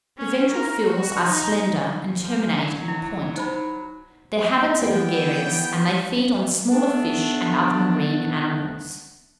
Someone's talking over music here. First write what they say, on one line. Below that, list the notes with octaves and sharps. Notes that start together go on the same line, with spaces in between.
The ventral fins are slender, and terminate in a point. Their habits are gregarious, and they feed on smaller fish and other marine animals.
C#4
A#4
F#4
D#4
F3
F#3
E4
D#4 C5 B5
E3 B3 E4 G4 D5 G5
A3 B3 D4